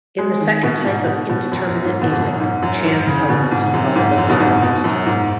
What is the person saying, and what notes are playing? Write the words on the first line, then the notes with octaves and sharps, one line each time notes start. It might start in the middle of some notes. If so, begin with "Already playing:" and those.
In the second type of indeterminate music, chance elements involve the performance.
G#3
D#3
B2
G#2
B2
B2
F#2
F#2
G#2
B2
G#2
F#2
G#2
F#2
G#2
C#3
B2
G#2
F#2
G#2
F#2
B2
G#2
B2
F#2
G#2